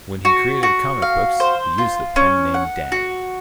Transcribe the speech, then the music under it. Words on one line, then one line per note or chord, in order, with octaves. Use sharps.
When he created comic books, he used the pen name Dang.
F#4
F#4
F5
C5
F4
C#4
F#5
F#4